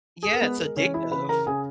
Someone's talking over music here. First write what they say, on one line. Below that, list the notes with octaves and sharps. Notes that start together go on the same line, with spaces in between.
Yeah, it's addictive.
G#4
A#4
G#3 B3 B4
A#4
E3 C#4 C#5
E4 E5
C#3 B4 B5
A#4 A#5
C#3 G#4 G#5